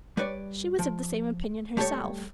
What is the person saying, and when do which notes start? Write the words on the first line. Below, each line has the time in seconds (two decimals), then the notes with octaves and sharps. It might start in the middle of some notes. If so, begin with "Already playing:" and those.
She was of the same opinion herself.
0.17 G3 B4 C#5 D5
0.79 F3
1.77 G3 A3 G4 A4 C#5